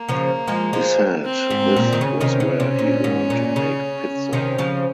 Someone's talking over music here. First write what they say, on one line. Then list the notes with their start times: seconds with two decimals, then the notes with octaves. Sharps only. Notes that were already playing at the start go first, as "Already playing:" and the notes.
He said this was where he learned to make pizza.
Already playing: A#3
0.09 C#3 F3
0.47 F3 G#3
0.73 F3 G#3
1.25 C4
1.51 G#2
1.76 A#2
1.93 D#3
2.01 C#3 C#4
2.20 C3 D#3
2.40 C#3
2.60 C3
2.79 A#2
3.04 G#2
3.30 A#2
3.56 C#3
4.33 C3 D#3
4.58 C#3 F3